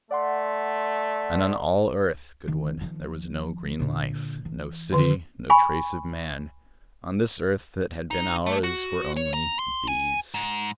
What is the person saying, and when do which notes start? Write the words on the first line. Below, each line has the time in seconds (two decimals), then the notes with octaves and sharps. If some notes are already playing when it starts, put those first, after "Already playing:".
And on all Earth, Goodwin, there was no green life, no city, no trace of man. On this Earth that had been ours were only--These.
0.11 A3 D5 F#5 C6
2.48 D#3
2.81 D#3 F3
3.80 A#2 D3
4.45 E3
4.92 D3 D#3
5.50 G#5 B5 C#6
8.11 D#4
8.46 A3
8.64 F#4
9.17 C#5
9.34 A#5
9.59 C6
9.88 G#5
10.34 G#2